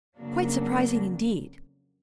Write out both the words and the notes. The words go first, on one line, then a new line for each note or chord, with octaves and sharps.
Quite surprising indeed!
F2 C#3 F#3 A#3 D4